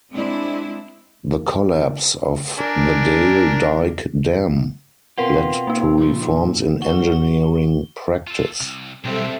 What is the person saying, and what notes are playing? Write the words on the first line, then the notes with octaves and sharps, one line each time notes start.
The collapse of the Dale Dyke Dam led to reforms in engineering practice.
G#3 C4 D4 E4
D4 A#4 G#5
B2 C4 F4 A#4 B4 F#5
A#3 D#4
A#2 F3
F#4 G7
F4 A4
C2
B1 G3 G#3 C4 D4 A4 E5